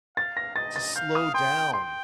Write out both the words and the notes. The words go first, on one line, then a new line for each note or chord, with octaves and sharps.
to slow down
F5 A6
A#6
D#5 A6
A6
F5 G6
D#6
G5 C6
G5 C6